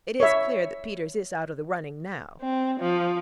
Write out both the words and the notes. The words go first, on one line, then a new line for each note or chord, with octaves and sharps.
It is clear that Peters is out of the running now.'
C#5 E5
C4
F3